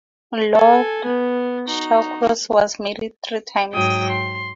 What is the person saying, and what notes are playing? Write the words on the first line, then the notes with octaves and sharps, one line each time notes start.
Lord Shawcross was married three times.
A4 G#5
B3
D#4 F#4
G#2 F#3 G5 D#6
C6